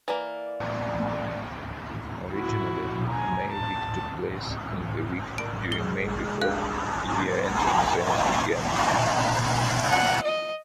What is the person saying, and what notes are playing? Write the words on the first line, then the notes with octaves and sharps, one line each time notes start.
Originally May Week took place in the week during May before year-end exams began.
E3 A#3 D5
E4 F#4
G#5 A#5
A5
A#4 D5 D7
G#3 G7
G2 F5 G5 F#6
F#5
D#5